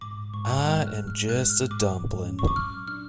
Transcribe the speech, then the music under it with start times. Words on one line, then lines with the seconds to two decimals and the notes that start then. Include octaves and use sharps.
I am just a dumpling.
0.01 G#2 D6
0.33 G#2 C#6
0.66 G#3 F6
0.87 F#6
0.97 G#3
1.07 F6
1.29 G#3 F#6
1.50 F6
1.61 G#2
1.71 D6
1.93 G#2
2.24 C#4
2.39 C#6
2.47 D6
2.56 F#3 F6
2.87 D4 F6